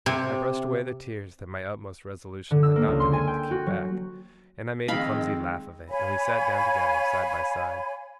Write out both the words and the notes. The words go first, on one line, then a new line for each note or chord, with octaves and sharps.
I brushed away the tears that my utmost resolution had not been able to keep back, and I made a clumsy laugh of it, and we sat down together, side by side.
C3
D3
E6
A#3
C#2
C6
G#5
G5
F#4
F#3
D#3 F3 G#3 C4 D#5 F5 B5
C#5 F5 G#5 B5